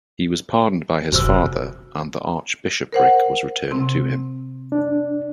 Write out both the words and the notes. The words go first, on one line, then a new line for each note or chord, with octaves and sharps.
He was pardoned by his father, and the archbishopric was returned to him.
F1 C3 F#4 C5 E6
A#4 C5 F#5
C3 C4
D4